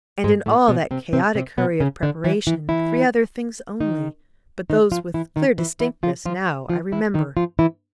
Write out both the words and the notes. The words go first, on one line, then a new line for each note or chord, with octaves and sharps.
And in all that chaotic hurry of preparation, three other things only, but those with clear distinctness now, I remember.
G#2 G#3
A2 A3
B2 B3
C3 C4
C3 C4
C3 C4
B2 B3
C#3 C#4
D3 D4
E3 E4
E3 E4
E3 E4
D#3 D#4
D#3 D#4
F3 F4
E3 E4
D#3 D#4
E3 E4
E3 E4
F3 F4
F3 F4
F3 F4
E3 E4
D#3 D#4
F3 F4
E3 E4